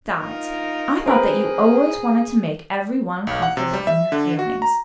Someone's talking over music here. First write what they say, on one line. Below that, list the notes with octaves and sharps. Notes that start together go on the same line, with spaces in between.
Besides I thought that you always wanted to make every one comfortable in her feelings.
D#4 F4 A#4
C4 G#4 A#4 B4
B1
F#5
C3
G3
E5
D3
F#4
A#5